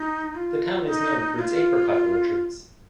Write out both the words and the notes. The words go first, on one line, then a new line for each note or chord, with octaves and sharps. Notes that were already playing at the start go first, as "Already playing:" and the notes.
The town is known for its apricot orchards.
Already playing: D#4
F4
D#4
F4